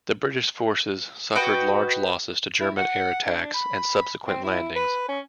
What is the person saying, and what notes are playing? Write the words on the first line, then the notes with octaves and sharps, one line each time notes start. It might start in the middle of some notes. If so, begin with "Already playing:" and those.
The British forces suffered large losses to German air attacks and subsequent landings.
F#4 B4 D#5 G5
E4
F#5
D4
B5
C4
E4
B4
C#4